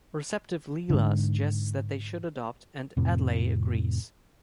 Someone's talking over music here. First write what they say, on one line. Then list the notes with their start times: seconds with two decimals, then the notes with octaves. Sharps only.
A receptive Leela suggests that they should adopt, and Adlai agrees.
0.90 G#2 D3
2.97 F2 A2 C3